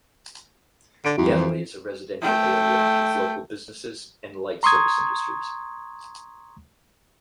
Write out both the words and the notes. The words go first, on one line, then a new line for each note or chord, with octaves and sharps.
Yateley is a residential area with local businesses and light service industries.
D3 D7
F2 G3 E4 F#4
E3 C5
A3 G5
A#5 C6 C#6 D#6 G#6